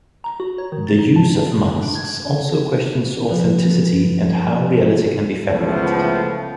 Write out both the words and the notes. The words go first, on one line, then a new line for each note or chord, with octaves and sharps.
The use of masks also questions authenticity and how reality can be fabricated.
A#5
F#4
C#5
D#3
A6
D#4
A5
G2
B2
D3
D4
G#6
F3 A4 B4
C#2 A2 F3 A3 B3